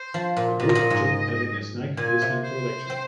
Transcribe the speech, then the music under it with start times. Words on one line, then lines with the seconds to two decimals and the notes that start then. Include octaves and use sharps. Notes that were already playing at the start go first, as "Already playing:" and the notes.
A group of children having a snack listening to a lecture.
Already playing: C5
0.14 F3
0.37 A#2
0.60 A#2 D#5
0.75 A#2
0.90 G#2
1.97 A#2 G#5
2.22 C3
2.44 C5
2.90 C4